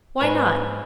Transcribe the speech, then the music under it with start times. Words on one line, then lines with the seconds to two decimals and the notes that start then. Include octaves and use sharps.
"Why not?"
0.21 G#2 B4 C#5 D#5 G#5